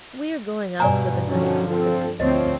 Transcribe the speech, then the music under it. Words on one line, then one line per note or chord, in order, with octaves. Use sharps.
"We are going out for the night with the beasts."
G2 B2 D5 G#5 A#5
D3 D#3 F3 C#4 F#4
C4 F4 A4
D2 F3 C4 C5 C#5 D#5